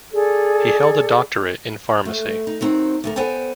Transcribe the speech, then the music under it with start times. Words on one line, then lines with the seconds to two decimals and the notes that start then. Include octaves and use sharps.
He held a doctorate in pharmacy.
0.12 G#4 A4 D5
2.05 A3
2.47 D#4
2.61 D#3 F#3 C4
3.04 D2 A4 A#4
3.16 B3 A4 C5 D5 G5 G#5